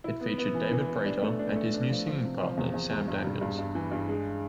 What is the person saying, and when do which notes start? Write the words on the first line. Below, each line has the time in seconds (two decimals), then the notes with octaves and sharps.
It featured David Prater and his new singing partner Sam Daniels.
0.04 E4
0.21 B3
0.38 B3
0.54 E3
0.72 E3
0.88 B3
1.06 D4
1.22 A3
1.39 D4
1.56 A3
1.73 D4
1.90 F3
2.07 F3
2.24 C3
2.40 F3
2.57 E2
2.74 E2
2.90 E2
3.08 G2
3.24 G3
3.41 G2
3.58 G2
3.75 E3
3.91 G2
4.08 G#3